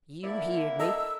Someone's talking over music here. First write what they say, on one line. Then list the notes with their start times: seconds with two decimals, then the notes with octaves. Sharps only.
"You heerd me!"
0.24 D3 A#3 E4 D5
0.80 A4 D#5 A#5 E6